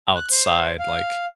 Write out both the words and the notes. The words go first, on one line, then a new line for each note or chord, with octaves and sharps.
outside, like,
F#6
C5
F5